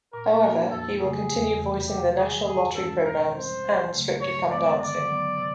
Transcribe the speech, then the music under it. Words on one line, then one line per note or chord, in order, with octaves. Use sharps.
However, he will continue voicing the National Lottery programmes and "Strictly Come Dancing".
A#2 A#4
F3 A#3 D4 F#4 A#4
F2 A4
C#3 F#3 A3 G#4
E2
C3 E3 A3
C3 G4
D#3 G3 G#4
G2 G#4
E3 G#3 C#4 A4
B2 A#4
G3 C4 C5
D2
C#3 F#3 A3
G2 C#5
D#3 G#3 B3 D5
D3 D5
F#3 B3
C3